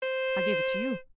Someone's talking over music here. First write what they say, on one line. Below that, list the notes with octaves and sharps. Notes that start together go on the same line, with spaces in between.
I gave it to you.
C5